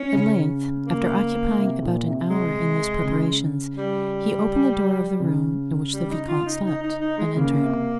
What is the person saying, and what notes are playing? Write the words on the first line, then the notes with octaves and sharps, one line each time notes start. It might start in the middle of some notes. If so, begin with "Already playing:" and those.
At length, after occupying about an hour in these preparations, he opened the door of the room in which the vicomte slept, and entered.
Already playing: C#4
C#3
A#3
C3
A#2
C3
G#3
C#3
G3
C#3
G3
D#4
F4
D#4
D#4
D#4
D#4
G#3
C#3 A#3
C3